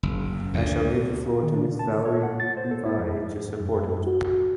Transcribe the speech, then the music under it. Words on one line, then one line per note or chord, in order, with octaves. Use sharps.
I shall give the floor to Mrs. Valérie Beauvais to support it.
F#1
D2
D#3
D4
C#3
A5
A4
C#5
F#5
A6
C5
A4
E4
F2
F#2
F#4